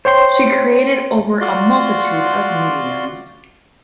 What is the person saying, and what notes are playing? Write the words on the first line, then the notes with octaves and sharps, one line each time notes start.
She created over a multitude of mediums.
C5 C#5 G5 C6
F4 F#4 D5 C6